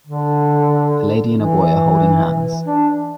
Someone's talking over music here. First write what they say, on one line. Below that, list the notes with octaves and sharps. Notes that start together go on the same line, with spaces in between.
A lady and a boy are holding hands.
D3
E3
D4